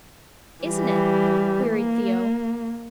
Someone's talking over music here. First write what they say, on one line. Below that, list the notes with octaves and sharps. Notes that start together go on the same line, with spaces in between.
"Isn't it?" queried Theo.
E3 G3
A#3